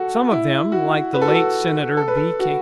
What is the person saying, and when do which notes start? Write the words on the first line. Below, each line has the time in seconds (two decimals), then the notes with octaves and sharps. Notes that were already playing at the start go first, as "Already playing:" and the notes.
Some of them, like the late Senator B.K.
Already playing: F#4 A4
0.31 E4
0.72 F#4
1.14 B4
1.22 A4
1.27 F#4
1.35 A4
1.97 A4
2.08 B4
2.17 A4
2.39 F#4